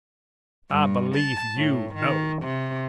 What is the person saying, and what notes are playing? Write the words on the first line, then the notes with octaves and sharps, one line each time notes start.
I believe you know.
G2
A5
A2
D#3
C3